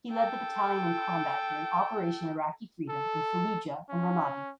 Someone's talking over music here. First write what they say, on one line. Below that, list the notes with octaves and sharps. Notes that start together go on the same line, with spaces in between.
He led the battalion in combat during Operation Iraqi Freedom in Fallujah and Ramadi.
A4 G5
A4
C#4